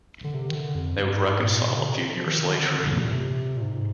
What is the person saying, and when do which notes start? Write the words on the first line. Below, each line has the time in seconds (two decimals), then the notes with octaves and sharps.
They would reconcile a few years later.
0.24 D3
0.34 C3
0.50 D#3
0.54 D3
0.75 F2
0.96 G2
1.16 G#2
1.43 A#2
1.70 C3
1.79 D3
1.88 C3
2.16 F3
2.25 D#3
2.53 D3
2.80 D3
2.91 C3
3.02 A#2
3.12 C3
3.57 A#2
3.62 G#2